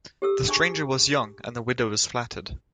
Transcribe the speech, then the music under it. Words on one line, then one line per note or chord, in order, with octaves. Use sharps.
The stranger was young, and the widow was flattered.
G4 A4 E6
D4 G#4 G#5 A5 C#6